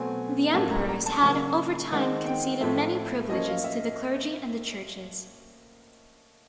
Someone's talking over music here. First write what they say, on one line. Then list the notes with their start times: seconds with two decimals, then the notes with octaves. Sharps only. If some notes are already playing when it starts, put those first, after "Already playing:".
The emperors had, over time, conceded many privileges to the clergy and the churches.
Already playing: B2 F#3 A3 C4 G#5
0.54 A2 F#3 A#3 C#4 A5
0.71 A#5
0.89 A#5
1.06 A5
1.23 C#3 F#3 A#3 C#4 A5
1.92 D#3 G#3 C4 D#4 F#5
2.26 G5
2.61 A2 F3 A3 E5
3.30 F3 A#3 C#4 D#5
3.47 F5
3.64 E5